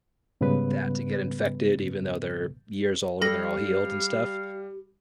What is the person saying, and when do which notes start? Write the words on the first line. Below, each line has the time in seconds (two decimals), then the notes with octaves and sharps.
that to get infected even though they're years old and they're all healed and stuff,
0.41 G#2 C#3 G3 B3 B4
3.22 G3 G4 A4 F5 A#6